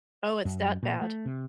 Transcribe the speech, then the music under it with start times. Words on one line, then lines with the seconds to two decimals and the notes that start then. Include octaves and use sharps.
Oh, it's that bad?
0.45 F#2
0.83 A#2
1.02 A3
1.26 C3